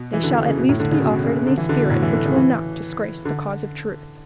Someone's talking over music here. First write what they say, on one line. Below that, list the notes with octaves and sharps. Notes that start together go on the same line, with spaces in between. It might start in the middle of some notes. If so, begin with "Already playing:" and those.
They shall at least be offered in a spirit which will not disgrace the cause of truth.
Already playing: B2
E3
D3
D3
C#3
B2
A2
D3
C#3
B2
C#3
D3
E3
D3
B2
A2
E3
D3
C#3
E3
D3